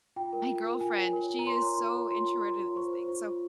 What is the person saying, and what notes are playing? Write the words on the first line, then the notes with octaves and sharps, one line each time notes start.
my girlfriend, she is so introverted to these things, so,
F4 G5
A#4
F4
A#4
F4 G#5
C#5
A#4
F4
A#5
C#5 C6
C#5
F4
C#5
F4 C6
F4
C#5
F4
C5 C#6
C5
F4
F4